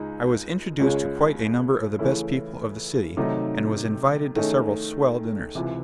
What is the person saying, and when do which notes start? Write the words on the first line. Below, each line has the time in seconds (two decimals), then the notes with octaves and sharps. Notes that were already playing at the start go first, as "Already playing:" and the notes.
I was introduced to quite a number of the best people of the city, and was invited to several "swell" dinners.
Already playing: C#2 G#3 D#4
0.79 C#2 C#3 G#3 C#4
1.99 C#3 E3 A3 C#4 E4
3.17 C3 D#3 F#3 A3 D#4
4.36 D#3 A3 C#4 G#4 D#5
5.55 C#2 C3 E3